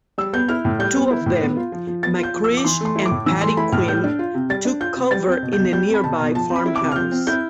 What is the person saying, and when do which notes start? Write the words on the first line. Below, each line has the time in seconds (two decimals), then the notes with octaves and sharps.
Two of them, McCreesh and Paddy Quinn, took cover in a nearby farmhouse.
0.18 G3 E6
0.33 B3 G6
0.48 E4 F6
0.65 A2
0.79 G3 G6
0.95 B3
1.11 E4
1.26 A2
1.41 B3
1.57 F4
1.72 F3
1.87 F3
2.03 B3 A6
2.19 F4 G6
2.34 F3
2.44 E6
2.49 F3
2.57 D6
2.65 E3 C6
2.81 A3 C6
2.96 E4
3.06 D6
3.11 A2
3.26 E3 E6
3.41 A3 C6
3.57 E4 B5
3.72 A2 F6
3.88 G3 G6
4.04 D4
4.19 F4
4.34 C3
4.50 G3 A6
4.65 D4
4.80 F4 G6
4.96 C3
5.11 G3 A6
5.27 C4 G6
5.43 B2
5.53 G6
5.58 B2
5.73 G3 G6
5.89 C4
5.94 B5
6.04 B2 A5
6.19 B2
6.35 F3 A5
6.50 C4
6.56 B5
6.66 E4
6.76 D6
6.81 C3
6.92 F6
6.96 F3 G6
7.12 C4
7.27 E4 G6